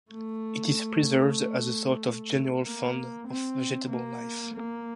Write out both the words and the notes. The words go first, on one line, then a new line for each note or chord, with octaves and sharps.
It is preserved as a sort of general fund of vegetable life.
A3
A#3
C4
A#3
A#3